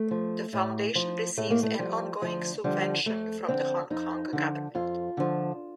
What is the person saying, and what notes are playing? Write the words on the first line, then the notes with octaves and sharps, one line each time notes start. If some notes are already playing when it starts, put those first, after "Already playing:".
The foundation receives an ongoing subvention from the Hong Kong Government.
Already playing: A3
F3
A2
F3
A2 A3
A#3
A3
F3 G3
D2 F3
D3 F3 G3
F2 A3
D3 F3 C4
F2 D#4
D3 F3
F2 F4
D3 F3